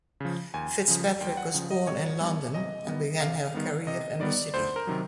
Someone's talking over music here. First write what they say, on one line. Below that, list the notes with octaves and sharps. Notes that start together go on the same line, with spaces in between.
Fitzpatrick was born in London and began her career in the City.
C#3 F3
D#2 G#5
C#3 F3
D#2 G5
F#5
C#3 F3
D#5
C3 C#5
D#3 G3 B3
C3 D#5
D#3 G3 B3
C3 F5
D#3 G3 B3
C3 D#5
D#3 G3 B3 D5
D2 C5
A#4
C3 D#3 F#3